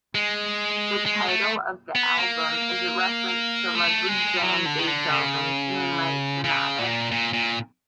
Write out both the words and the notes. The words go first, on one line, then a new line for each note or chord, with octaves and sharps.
The title of the album is a reference to Ludwig van Beethoven's "Moonlight Sonata".
G#3
G#3
A3
B3
A#3
A3
G#3
G3
F#3
D3
D#3
D3
C#3
C#3
A#2
A#2
A#2